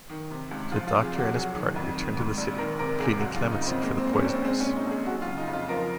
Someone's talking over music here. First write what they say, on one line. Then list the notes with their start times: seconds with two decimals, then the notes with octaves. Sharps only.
The Doctor and his party return to the city, pleading clemency for the poisoners.
0.09 D#3
0.31 C3
0.51 C#2
0.72 F3 F4
0.87 F4
0.92 C3
1.03 G#4
1.13 C2 F#4
1.34 F#3 G#4
1.55 D#3
1.76 F2
1.96 D#3
2.17 G#2
2.38 A#1
2.58 D#3 A#4
2.79 C3 A#4
3.00 C#2 G#4
3.20 F#3 F#4
3.36 F4
3.41 C#3
3.51 D#4
3.62 F2 C4
3.82 G#3 A#3
3.98 C4
4.03 A#2
4.13 C#4
4.24 A#1
4.29 C4
4.44 G#3 C4
4.60 C#4
4.65 A#2
4.76 D#4
4.86 A#1
4.91 G#4
5.06 F#3 F#4
5.22 F4
5.28 C#3
5.37 D#4
5.48 F2
5.53 F4
5.69 F3 A#4